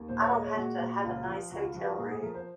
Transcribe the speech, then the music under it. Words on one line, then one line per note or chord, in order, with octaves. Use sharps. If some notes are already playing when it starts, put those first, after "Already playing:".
I don't have to have a nice hotel room,
Already playing: D#2
A#2 C5
C#5
G#3 D#5
C#5
A#2 F#4
A#2
C#2 F4
F3
C#2 F#4
F4
F3 F#4
A#4
A#2 G#4
G#4
F3 A#4
C5